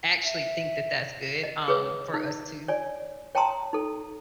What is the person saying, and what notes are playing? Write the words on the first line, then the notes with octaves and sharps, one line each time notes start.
actually think that that's good, um, for us to,
E5
D#5
G#4 B4 C#5
D#4
C#5 D5 G#5
C#5 G5 A5 A#5 C6 D#6
D#4 A4